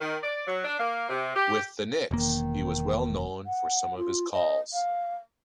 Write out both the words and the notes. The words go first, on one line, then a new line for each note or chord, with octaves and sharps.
With the Knicks, he was well known for some of his calls.
D#3
D5
F#3
D4
A#3
C3
G4
E1 D#3 A#3
F#5
F4
D#5
F5